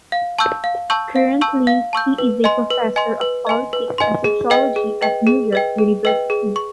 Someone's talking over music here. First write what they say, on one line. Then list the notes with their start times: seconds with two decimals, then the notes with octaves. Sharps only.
Currently he is a professor of politics and sociology at New York University.
0.12 F5
0.38 A5 C#6 E6 G6
0.64 F5
0.90 A5 C#6 E6 G6
1.16 F5
1.41 A5 C#6 E6 G6
1.67 F5
1.93 A5 C#6 E6 G6
2.18 B4
2.44 D#5 G#5 C6
2.70 B4
2.96 D#5 G#5 C6
3.21 B4
3.47 D#5 G#5 C6
3.73 B4
3.98 D#5 G#5 C6
4.24 G#4
4.50 B4 D#5 G5
4.76 G#4
5.02 B4 D#5 G5
5.27 G#4
5.53 B4 D#5 G5
5.78 G#4
6.05 B4 D#5 G5
6.30 G#4
6.56 C#6